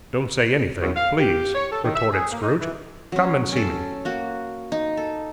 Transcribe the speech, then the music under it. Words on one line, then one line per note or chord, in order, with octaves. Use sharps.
'Don't say anything, please,' retorted Scrooge. 'Come and see me.
F#2
F5
G4
C#5
A4
D#3
E5
G#4
A#3
D#4
E3
F#3 C#4
C#4 A4
A#3 F#4
D#4
A4